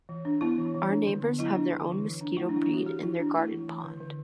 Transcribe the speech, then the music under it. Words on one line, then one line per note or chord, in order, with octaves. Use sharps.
Our neighbors have their own mosquito breed in their garden pond.
E3
D4
B3 E4
E3
E3
D4
D3
B3
F#3 E4
D4
D3
E3
E3
D4
A3 E4
D4
E3 E4
D4
E3 F#4
E3 G4
E3 E4
D4
A3 E4
E3
E3
D3
D3